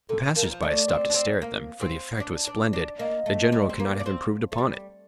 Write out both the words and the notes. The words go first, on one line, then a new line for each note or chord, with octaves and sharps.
The passers-by stopped to stare at them, for the effect was splendid--the General could not have improved upon it.
A#2 A4
F3 A#4
D#3
F3
A3 D5
C4
D4
C4
A#3
C4
D4
D4
D4
A#3 D#5
A3
G3
C4
A#3
D4
C4
A3
G3